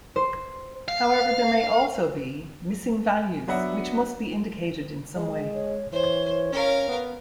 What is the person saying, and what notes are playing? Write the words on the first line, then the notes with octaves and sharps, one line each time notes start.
However, there may also be "missing values", which must be indicated in some way.
C5
F5
F#3 B3 D4 E5 F#5
G#3
C#5
E3 C5 C#5
C#4 A#4 F5
B3